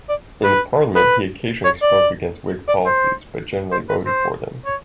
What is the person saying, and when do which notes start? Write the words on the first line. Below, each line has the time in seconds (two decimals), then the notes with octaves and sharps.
In parliament he occasionally spoke against Whig policies, but generally voted for them.
0.09 D5
0.44 B4
0.96 B4
1.64 C#5
1.82 D5
2.68 D5
2.86 C5
3.72 C5
3.89 B4
4.06 C5
4.66 C#5